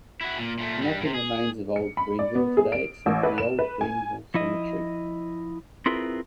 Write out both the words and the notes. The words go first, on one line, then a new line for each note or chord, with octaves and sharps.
Nothing remains of Old Greenville today except the Old Greenville Cemetery.
E4 F#4
A#2
A#2 A3
G2 G3
A2 C3
G#4
C#7
B5
D5
B3
G#4
D7
A1
B4
E7
B4
G#5
F3 E4 D#5
C4 E4 F4 G#4 A#4 B4